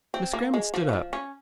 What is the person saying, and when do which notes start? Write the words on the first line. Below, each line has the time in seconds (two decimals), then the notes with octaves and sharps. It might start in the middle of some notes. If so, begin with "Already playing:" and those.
Miss Grammont stood up.
0.14 C4
0.33 A#3
0.54 G#3
0.74 F3
0.89 D#3
0.93 F3
1.13 C#4